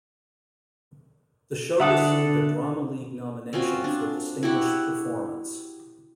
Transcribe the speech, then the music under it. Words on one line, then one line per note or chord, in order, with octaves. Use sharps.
The show received a Drama League nomination for "Distinguished Performance".
D3 D4 A4 E5 F#5 D#6
C4 C#4 F4 F#4
D4
E4 F#4 G4 F#5